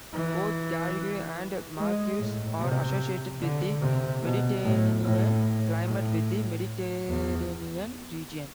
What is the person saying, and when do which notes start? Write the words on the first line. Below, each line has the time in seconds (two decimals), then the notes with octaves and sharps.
Both garrigue and maquis are associated with the Mediterranean climate within the Mediterranean region.
0.13 E3
1.76 G#3
2.17 A2
2.58 C3
3.40 D3
3.81 C3
4.22 B2
4.63 A2
5.03 A2
5.85 A2
7.07 E2